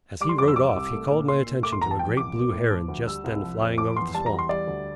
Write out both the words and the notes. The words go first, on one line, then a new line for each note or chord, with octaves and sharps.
As he rode off he called my attention to a great blue heron just then flying over the swamp.
G3 D6
C6
F2 D6
E6
G3 D6
C2
A3
A#2
A#2 C6
A#2
A3 D6
C6
E2 A#5
A5
F3 G5
C2 D6
A#3
A2
F3
D2
G3 E6
C2
F3
F2
F3 D6
E2 C6
G3 A5
A#5
E2
C6
G3 D5
D2